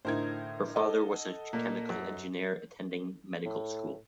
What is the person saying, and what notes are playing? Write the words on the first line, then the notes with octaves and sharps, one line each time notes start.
Her father was a chemical engineer attending medical school.
A2 D3 D#4 A#4 C5 G#6
A4 D#5 F#5
A#2 A#3
F#2
A2